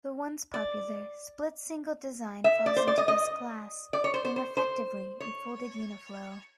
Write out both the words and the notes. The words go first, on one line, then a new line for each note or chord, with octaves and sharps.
The once-popular split-single design falls into this class, being effectively a folded uniflow.
D5
E5
D5
C5
D5
D#5
D#5
D5
C#5
C5
C5
C5
C5
C#5